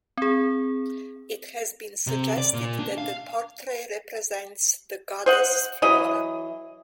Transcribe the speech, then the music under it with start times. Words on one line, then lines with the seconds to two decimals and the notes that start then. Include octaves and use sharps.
It has been suggested that the portrait represents the goddess Flora.
0.17 C4 G#4
2.07 C3
2.38 D5
2.54 A#2
2.79 D4
2.98 F5
5.26 C5 D#5 F#5
5.82 E3 F#3 D#5